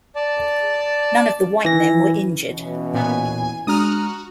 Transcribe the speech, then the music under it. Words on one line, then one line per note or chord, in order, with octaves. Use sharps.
None of the white men were injured.
D5 A5
E3 A#6
B2 E3 C#4
A#2 B3 G#5
G#3 D4 F#4 A#5 D#6 F6